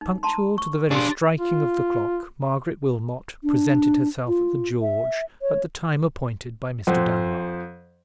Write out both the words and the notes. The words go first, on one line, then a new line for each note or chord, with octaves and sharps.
Punctual to the very striking of the clock, Margaret Wilmot presented herself at the George at the time appointed by Mr. Dunbar.
D#4
A5 A#5 C6
C#6
D4 G4 G#4 C6
F4
D4
F4
E5
C#5
F2 C5 F#5